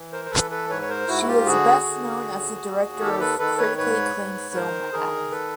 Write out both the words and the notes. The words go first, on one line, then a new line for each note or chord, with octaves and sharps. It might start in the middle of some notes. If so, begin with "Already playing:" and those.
She is best known as the director of critically acclaimed film "Adam".
Already playing: E3
A#4 C5
C5
E3 A4 B4
A4 B4
G#2 B4 C#5
C#5
A#4 C5
G#2 E4 F#4
F#4
F4 G4
D3 F#4 G#4
D3
D#2
D#2
D#3 G4 A4
A4 B4
D#3 A4 B4
B4 C#5
G#2 B4 C#5
G#2
D#3 A#4 C5
D#3 G#4 A#4
A4 B4